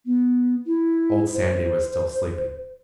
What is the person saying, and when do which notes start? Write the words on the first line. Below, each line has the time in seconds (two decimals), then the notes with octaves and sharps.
Old Sandy was still sleeping.
0.06 B3
0.66 E4
1.34 C5